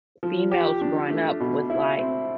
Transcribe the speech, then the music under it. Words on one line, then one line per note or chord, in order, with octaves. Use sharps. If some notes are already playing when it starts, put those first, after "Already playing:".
females growing up with, like,
F3
G4
D4
A3
B2
E4
C4